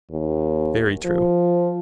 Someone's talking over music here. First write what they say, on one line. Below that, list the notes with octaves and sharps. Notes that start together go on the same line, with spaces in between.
Very true.
D#2
F3